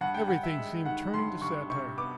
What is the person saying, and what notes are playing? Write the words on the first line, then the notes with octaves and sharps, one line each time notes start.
Everything seemed turning to satire.
G2 F#5
G5
G2 F#5
E5
G#3
D#3 F#5
G2 C6
G2 C#6
C3 C#6
B3 D6